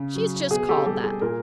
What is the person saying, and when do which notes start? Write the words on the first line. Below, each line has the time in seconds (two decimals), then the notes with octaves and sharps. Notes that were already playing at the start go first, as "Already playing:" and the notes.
She's just called that.
Already playing: C#3
0.15 F#3
0.51 B2 G#4
0.69 G4 A4
0.86 G3 G4 A4
1.04 G#4
1.21 A#2 G#4 A#4